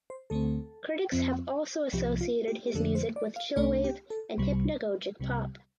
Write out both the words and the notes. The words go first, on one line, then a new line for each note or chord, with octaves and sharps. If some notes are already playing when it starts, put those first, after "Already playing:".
Critics have also associated his music with chillwave and hypnagogic pop.
C5
D2 D3 A3 C4 A4
F2 F3 C4
C2 C3 F3 G4
F4
G4
G4
F2 D3 F3 D4 A4
C5
D5
F5
C2 C3 A3 D4 D5
G4
A4
C2 C3 G3
C2 C3 G3